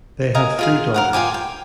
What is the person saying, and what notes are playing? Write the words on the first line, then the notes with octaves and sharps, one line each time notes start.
They have three daughters.
A#4 D#5 F5 G#5
F4 G#4 F5
A#4 F5 F#5
F4 G5 G#5 D6
G5